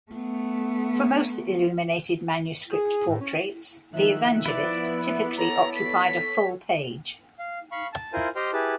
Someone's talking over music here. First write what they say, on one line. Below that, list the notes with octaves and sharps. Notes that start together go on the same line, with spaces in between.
For most illuminated manuscript portraits, the Evangelist typically occupied a full page.
A3 B3
G#4
A2
C#4
D#3 F3 E5 F#6
B3 E4 D5
A4 C#5 A#5
B6
F5
F5 B5 C#6
A5
E4 F4 A#4 C5 G#5
G4 C5 D#5 G5 C6 F6
E4 G4 G#4 B4 A5